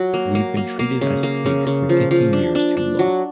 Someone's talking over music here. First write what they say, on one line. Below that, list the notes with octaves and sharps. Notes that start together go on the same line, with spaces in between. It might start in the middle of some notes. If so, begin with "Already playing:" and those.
We’ve been treated as pigs for fifteen years too long.
Already playing: F#3
A#3
A#3
A#3
A#3
C#3
A#3
C#3
C#3
F3
F3
D4
D4
D4
F#3